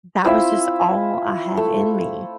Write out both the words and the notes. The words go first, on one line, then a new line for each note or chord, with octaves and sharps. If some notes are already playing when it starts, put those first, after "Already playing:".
that was just all I had in me,
C4 E4 F4 E5
A3